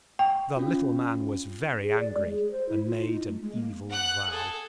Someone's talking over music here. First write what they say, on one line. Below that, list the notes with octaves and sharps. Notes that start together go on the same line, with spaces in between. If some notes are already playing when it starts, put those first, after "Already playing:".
The little man was very angry, and made an evil vow.
G5
C#4 F4
G#4
D5
G#3
G#4
C5
E4
F4
D#4
A3
G#3
A#3
F#5 F#6
G#4 A4